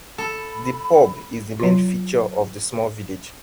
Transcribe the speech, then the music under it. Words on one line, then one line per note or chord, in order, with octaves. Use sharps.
The pub is the main feature of the small village.
A4 B5
F#3 F4